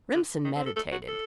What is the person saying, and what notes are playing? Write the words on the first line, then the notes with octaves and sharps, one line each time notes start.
Remsen meditated.
D3
D#3
C4
A4
A4
F#4
A4